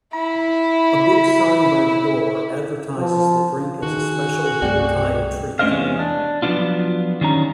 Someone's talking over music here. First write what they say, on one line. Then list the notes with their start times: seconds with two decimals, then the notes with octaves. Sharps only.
A big sign by the door advertises the drink as a special Yuletide treat.
0.14 E4 B5
2.97 F3
3.83 D#3 F#4 G#4
4.62 C2 G2 A3 C4 D5 G5
5.59 A3 C#4 D4 C5 D#5 F5
5.71 E2 C3 E3 G#3 C#4
5.99 D4
6.42 F3 F#3 G#3 B3 D4 F4
7.21 D#3 G3 C#4 A#5